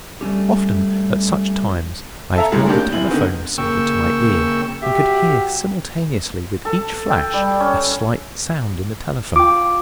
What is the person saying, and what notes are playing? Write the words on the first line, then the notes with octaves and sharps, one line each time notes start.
Often at such times I have held the telephone receiver to my ear and could hear simultaneously with each flash a slight sound in the telephone.
G3 A3 C#4 G4
A4 E5 A#5
A2 E3 G3 G#3
A2 D#3 A#3 D4 G4
G6
F1 E3 F#7
D3 D#3 B3 D#4
C#3 A#3 G5 C#6 E6
F#4 G4 E5 G5
A4
G5
G3
C#4
F4 G5 D6